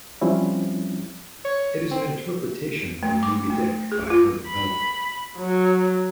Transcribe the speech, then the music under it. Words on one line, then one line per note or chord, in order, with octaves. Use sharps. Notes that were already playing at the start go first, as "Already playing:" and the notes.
It is an interpretation of "Moby-Dick" by Herman Melville.
F3 G3 C4 C#4 E4
C#5
C4
A3
D6
A3
G#4
F4
B5
F#3